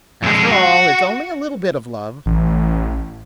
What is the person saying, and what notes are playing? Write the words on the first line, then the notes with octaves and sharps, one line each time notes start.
After all, it's only a little bit of love.
F2 G#3
F#4
A1